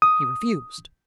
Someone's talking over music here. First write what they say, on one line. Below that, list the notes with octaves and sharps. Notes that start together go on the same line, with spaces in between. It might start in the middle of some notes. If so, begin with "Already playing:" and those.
He refused.
D#6